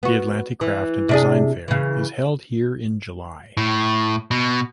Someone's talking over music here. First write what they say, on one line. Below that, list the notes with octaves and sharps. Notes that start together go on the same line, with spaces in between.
The Atlantic Craft and Design Fair is held here in July.
B3 F#4
E3
C3 D4 G#4
C#3 E3
A2
B2